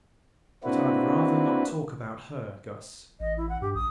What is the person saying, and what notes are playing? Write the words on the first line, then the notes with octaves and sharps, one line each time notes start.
But I'd rather not talk about her, Guss.
A#3 C4 D4 E4 F#4 B4
A1 D#5
E4
F#5
G2 G4
A#1 D#6